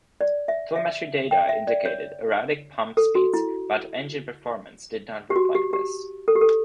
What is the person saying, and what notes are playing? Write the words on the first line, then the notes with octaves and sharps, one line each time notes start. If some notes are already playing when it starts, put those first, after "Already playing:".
Telemetry data indicated erratic pump speeds, but engine performance did not reflect this.
D5
E5
E5
G5
E5
D5
C#5
A4
F#4
E4
G4
F#4
G4
G4
A4
G4
A4